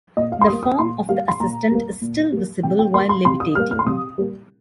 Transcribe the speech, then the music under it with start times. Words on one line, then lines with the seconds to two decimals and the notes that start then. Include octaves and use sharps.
The form of the assistant is still visible while levitating.
0.17 A#2 D#5
0.32 F5
0.41 C6
0.47 G3 A#3 D#6
0.63 D#6
0.79 A#2 C6
1.09 G3 A#3 F5
1.28 C6
1.40 A#2 A#5
1.71 G3 A#3
2.01 A#2
2.32 G3 A#3
2.63 C3 G5
2.79 G5
2.94 G3 A#3 C6
3.09 C6
3.25 C3 C6
3.40 D#6
3.55 G3 A#3 F6
3.71 F6
3.79 C6
3.86 C3 D#6
4.18 G3 A#3